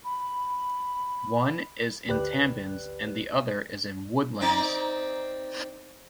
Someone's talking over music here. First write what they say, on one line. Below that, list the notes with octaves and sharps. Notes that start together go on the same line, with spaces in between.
One is in Tampines and the other is in Woodlands.
B5
G#1 D2 G4 B4 D5 F#6
C4 D#4 D5